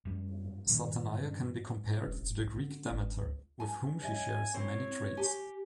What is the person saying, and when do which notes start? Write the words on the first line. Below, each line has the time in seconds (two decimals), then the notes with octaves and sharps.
Satanaya can be compared to the Greek Demeter, with whom she shares many traits.
0.05 F#2 G3
0.69 G2 A#2 D#3
2.06 E1
2.19 F1
2.39 B1
2.56 D3
2.90 G1
3.21 C#2
3.60 G#5
4.02 C#5 D#5 E5 G#5
4.54 C4 E4 C5 C#5
5.17 G4 G#5